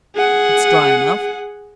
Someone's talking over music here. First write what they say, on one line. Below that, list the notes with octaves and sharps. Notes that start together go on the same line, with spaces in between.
It's dry enough.
G#4 F#5